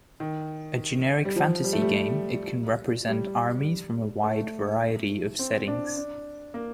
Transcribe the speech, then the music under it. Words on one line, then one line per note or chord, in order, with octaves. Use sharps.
A generic fantasy game, it can represent armies from a wide variety of settings.
D#3
G3
F3
G3
A3
G3
G3
A3
C4
D4
D4
A#3